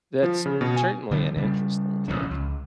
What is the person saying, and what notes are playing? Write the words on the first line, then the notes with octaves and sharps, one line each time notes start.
That's, certainly an interesting take.
F3
C#3
B2
G#5
D3 F3 G3 B3
C#3 G3
A1 C#3 F3 C#4
C#2